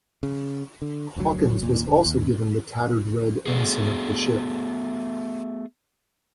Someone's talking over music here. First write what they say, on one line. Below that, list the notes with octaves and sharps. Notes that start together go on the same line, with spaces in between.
Hawkins was also given the tattered Red Ensign of the ship.
C#3
D3
F1 D2 G#2 F#3
D#2 A#2
E1 D3
D#2
A3 B3 F#4 G#4